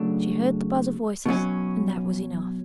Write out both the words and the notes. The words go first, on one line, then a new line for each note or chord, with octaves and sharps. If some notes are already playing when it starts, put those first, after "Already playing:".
She heard the buzz of voices; and that was enough.
Already playing: C#3 F#3 A3 D4
B2 F#3 C#4